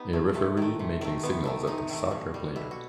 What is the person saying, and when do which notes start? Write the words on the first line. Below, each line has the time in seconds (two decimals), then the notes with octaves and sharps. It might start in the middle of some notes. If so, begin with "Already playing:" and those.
A referee making signals at a soccer player.
Already playing: B3 D#4 G4
0.13 A3
0.34 C3 A3
0.57 D#3 A3
0.79 C3
1.01 D#3 A3
1.23 C3 B3
1.45 D#3 A3
1.67 C3 D#4
1.90 D#3 A3
2.11 B2
2.34 G3
2.56 B2 E4
2.71 F#4